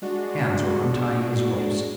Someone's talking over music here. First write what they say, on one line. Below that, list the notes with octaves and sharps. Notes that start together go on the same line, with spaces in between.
Hands were untying his ropes.
G#3 D4 F#4